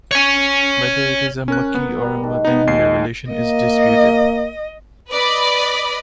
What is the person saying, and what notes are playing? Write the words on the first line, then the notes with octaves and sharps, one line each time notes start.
Whether it is a Makki or a Madani revelation is disputed.
C#5 G#5
C#4 A#4 F#6
B3 A#4 B4
G3 A#4
G#2 D#3 A5
B3 D#4
D#2 G#3 D#4 C7
A#3 D#5
B4 D5 D#5 B5